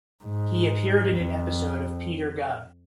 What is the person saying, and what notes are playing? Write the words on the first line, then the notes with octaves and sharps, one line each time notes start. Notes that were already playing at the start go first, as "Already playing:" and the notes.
He appeared in an episode of Peter Gunn.
G#2
F2